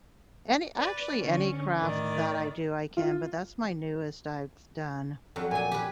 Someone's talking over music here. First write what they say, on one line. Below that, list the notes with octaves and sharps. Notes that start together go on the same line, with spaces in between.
any actually, any craft that I do, I can, but that's my newest I've done.
B4 D5
D3 C#4
A2 D#3 D5
F4
F2 F#3
A#2 G5 G#5
G4 B4